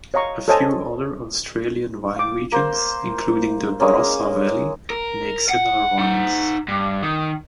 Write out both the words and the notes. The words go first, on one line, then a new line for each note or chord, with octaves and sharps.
A few other Australian wine regions, including the Barossa Valley, make similar wines.
C#5 D#5 F5 A#5 C#6
A4 C5 C#5 D#5 G#5 A5
F5 D6
A#3 C5
G#3 A#3 C#4
A#4
F#5
D#4 F#5
G2
D#3